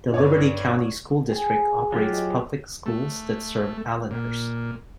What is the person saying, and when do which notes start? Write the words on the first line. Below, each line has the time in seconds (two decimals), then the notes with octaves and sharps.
The Liberty County School District operates public schools that serve Allenhurst.
0.12 G2 D4 C#5 D5
1.29 G#4
1.92 F#3 F4 G4
2.13 D#5
2.86 A3
4.11 A#2